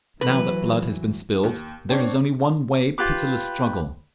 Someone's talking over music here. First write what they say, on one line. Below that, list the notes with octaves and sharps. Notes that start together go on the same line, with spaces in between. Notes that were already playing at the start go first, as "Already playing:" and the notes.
But now that blood has been spilled there is only one way--pitiless struggle.
E3 F#3 B4
D#2
C4 D4 C#5
F4 G4 B4 D6